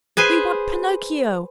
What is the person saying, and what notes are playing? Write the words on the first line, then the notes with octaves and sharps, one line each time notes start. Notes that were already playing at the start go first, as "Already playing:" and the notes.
We want Pinocchio!
G#4 B4 C5 G#5